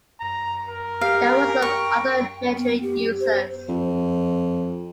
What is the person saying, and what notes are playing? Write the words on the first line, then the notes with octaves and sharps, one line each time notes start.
There were some other military users.
A#5
A#4
G4 F5
G5 C#6
B3
G4
C5
F2